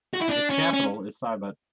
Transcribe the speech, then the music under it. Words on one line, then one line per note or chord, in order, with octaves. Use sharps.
Its capital is Sibut.
F#4
E4
D4
C#4
C#4